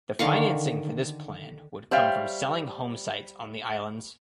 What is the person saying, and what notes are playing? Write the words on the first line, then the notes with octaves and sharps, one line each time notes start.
The financing for this plan would come from selling home sites on the islands.
D3 D#3 F5 C#6
G3 C5 C#5 E5 F5 G5